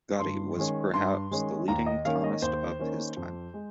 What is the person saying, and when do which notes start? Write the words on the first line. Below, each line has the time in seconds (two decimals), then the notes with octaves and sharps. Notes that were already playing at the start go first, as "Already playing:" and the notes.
Gotti was perhaps the leading Thomist of his time.
0.19 G2 C6
0.57 D#3 G#3 C#4
0.94 G2 C6
1.31 D#3 G#3 C#4
1.68 D#2 A#5
1.86 D#5
2.05 D#3 A#3 C#4 F5
2.24 D#5
2.42 D#2 C5
2.79 D#3 A#3 C#4
3.17 F2
3.54 G#3